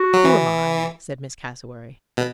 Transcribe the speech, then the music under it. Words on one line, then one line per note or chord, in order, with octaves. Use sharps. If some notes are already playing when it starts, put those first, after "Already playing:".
"Who am I?" said Miss Cassewary.
Already playing: F#4
F#3
E3
B2